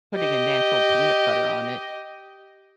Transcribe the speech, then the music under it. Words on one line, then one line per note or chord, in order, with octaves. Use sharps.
putting a natural peanut butter on it,
G4 D#5